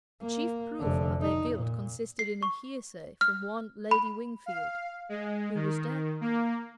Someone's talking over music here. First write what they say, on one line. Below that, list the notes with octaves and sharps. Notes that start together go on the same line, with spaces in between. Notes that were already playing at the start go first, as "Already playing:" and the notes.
The chief proof of their guilt consisted in a hearsay from one Lady Wingfield, who was dead.
A#3
F1 D3
D#4
A#2
C7
C#6
F6
B5
F5
G#3
D#3
A#3